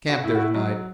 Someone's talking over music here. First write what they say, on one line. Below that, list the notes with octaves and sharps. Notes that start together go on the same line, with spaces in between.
Camp there tonight.
F#4
A2 E4
F#4
E4
F#3 D#4